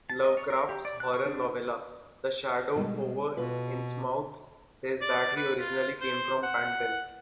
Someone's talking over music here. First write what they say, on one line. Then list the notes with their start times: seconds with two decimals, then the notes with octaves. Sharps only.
Lovecraft's horror novella "The Shadow Over Innsmouth" says that he originally came from Panton.
0.10 A5
0.25 D#5
0.37 C#5
0.50 A#4
0.69 G4
0.85 D5
1.00 F#6
1.14 C#6
1.26 D4
2.75 B2 G3 G#3
3.37 B2 F4 B4
5.01 D5
5.36 B4
5.60 F4
6.01 C5
6.43 F#5